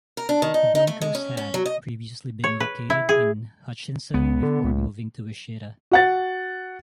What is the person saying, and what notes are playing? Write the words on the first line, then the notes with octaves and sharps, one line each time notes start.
The Broncos had previously been located in Hutchinson before moving to Wichita.
A#4
D4
D#3
D#4
D#4
A3
G#3
C#4
C#4
F#3
D#5
C#5
B4
E4
G#4
C#2 B3
D3
C#2
F#4 F#5 A6